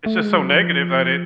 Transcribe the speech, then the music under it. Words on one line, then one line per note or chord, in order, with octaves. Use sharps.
it's just so negative that it
A3
G#3
F#3
F3